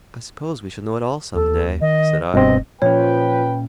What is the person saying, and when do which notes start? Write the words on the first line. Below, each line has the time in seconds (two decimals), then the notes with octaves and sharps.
"I suppose we shall know it all some day," said I.
1.34 D#2 A4
1.81 D#3 D#5
2.34 F1 G2 B2 C4 D#5
2.82 A#2 F3 C#4 B4 C#5 G5